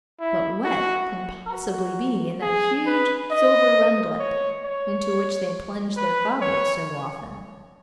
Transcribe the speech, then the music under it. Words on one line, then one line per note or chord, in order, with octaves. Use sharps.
But what can possibly be in that huge silver rundlet into which they plunge their goblets so often?
E4
F#4
F#4
G#4
B4
D#5
C#5
C#5
B4
C#5